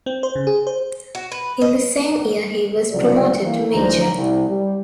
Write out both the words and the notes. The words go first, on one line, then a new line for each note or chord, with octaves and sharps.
In the same year he was promoted to major.
C4
C5
C#3
G#4
C5
F#4
B4
D#5
C2 F2 C#3 F3 F#3 D5
E3 A#3
D2 E3 D4 D#4 C5 A#5
C2
G3